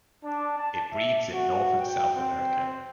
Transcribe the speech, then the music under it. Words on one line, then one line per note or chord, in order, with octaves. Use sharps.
It breeds in North and South America.
D4
A5
E5
F#4
G5
C4